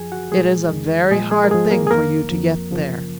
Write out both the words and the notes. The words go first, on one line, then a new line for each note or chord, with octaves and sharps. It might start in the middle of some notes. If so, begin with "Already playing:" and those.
It is a very hard thing for you to get there.
Already playing: F#2 F3 G#4 G#5
F#4 F#5
A#2 F3 G#3 G#4
F2 D#3
A#2 F3 G#3 G#4
G#3 G#4
A#4
G#2 F3 G#3 G#4
A#3 A#4
G#4
F2 D#3 A#3 A#4
F2 F3
F#2 C#3 F3